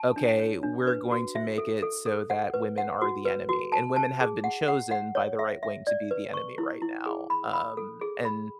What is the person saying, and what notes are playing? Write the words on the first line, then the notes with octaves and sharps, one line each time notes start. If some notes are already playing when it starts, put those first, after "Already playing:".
"Okay, we're going to make it so that women are the enemy," and women have been chosen by the right wing to be the enemy right now, um, and
Already playing: A5
D4
C#5
D4
B4
F#4
E5
A4
A4
A4
F#5
B4
F#5
F#4
B4
F#4
A5
A5
G#4
F#5
F#5
F#5
C#5
E5
E5
D5
B4
C#6
E4
E4
G#4
B5
B5
A4
G#4
B5